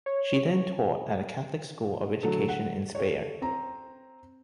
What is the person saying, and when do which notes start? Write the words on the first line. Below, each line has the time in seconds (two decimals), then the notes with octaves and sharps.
She then taught at a Catholic school of education in Speyer.
0.06 C#5
2.23 D3 F#3 A3 A4
2.48 F#5
2.95 A4 C#5
3.42 C4 A#5